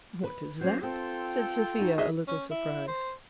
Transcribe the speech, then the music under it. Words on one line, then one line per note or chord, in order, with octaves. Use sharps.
"What is that?" said Sophia, a little surprized.
B4
F#3 A#3 C#4 C5
C4 F4 A4 G5
D#4 F#4
G#4 D#5 E5
C#4
E4
C5